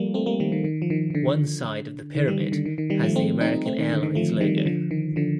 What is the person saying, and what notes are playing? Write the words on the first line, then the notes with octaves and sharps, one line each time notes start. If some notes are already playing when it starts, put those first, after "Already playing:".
One side of the pyramid has the American Airlines logo.
Already playing: F3 G3 A3 A#3
A3 C4
G3 A#3
D#3 G3
D#3
D#3
F3
D#3
D#3
D3
D#3
D#3 G3
D#3
D3
D#3
D#3
D#3 G3
F3 A3
A3 C4
C4 D#4
A3 C4
D#3
D3
D#3
F3 A3
D#3 G3
G3
D3 F3
D#3
D3 F3